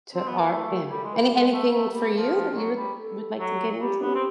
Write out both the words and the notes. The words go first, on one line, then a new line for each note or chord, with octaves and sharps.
to art, yeah. Any anything for you that you would would like to get into?
C4
B3
A#3
A3 E4
A#4
G3 A4
G#3
G3 B4
A#4
G#3 A4
A#4
A3
A3
G3
F3
F3
F#3
G3
A4
F#3
F#4
G3 G4
B3
C4